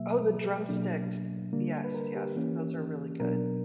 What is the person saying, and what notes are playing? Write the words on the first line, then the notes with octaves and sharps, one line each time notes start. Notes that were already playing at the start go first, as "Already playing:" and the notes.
Oh, the Drumsticks. Yes, yes. Those are really good.
Already playing: B2 F#3 A#3 E5
B2 F#3 A#3 D4
D3 G3 A#3 D4
B4
A#4
G4
E3 A#3 C#4
B2 F#3 B3 D4 A#4